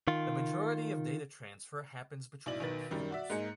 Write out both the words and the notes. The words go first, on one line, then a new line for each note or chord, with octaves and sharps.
The majority of data transfer happens between peers.
D#3 F4
B1 E4 D5 F#7
B1 D#3 B4 A6
F#2 D#3 G3
F#4 D5 E5
G#2 A#3 D#4 G#4 C#7